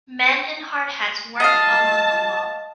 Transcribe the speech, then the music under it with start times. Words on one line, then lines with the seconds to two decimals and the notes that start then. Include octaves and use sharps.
Men in hard hats work along a wall.
1.40 D#5 F5 A5